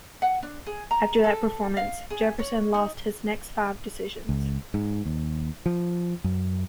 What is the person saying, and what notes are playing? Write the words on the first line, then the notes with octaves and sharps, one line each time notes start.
After that performance, Jefferson lost his next five decisions.
F#5
D4
G#4
A#5
A4
F5
G#4
C#5
D#4
C#2
G#2
D#2
F3
F#2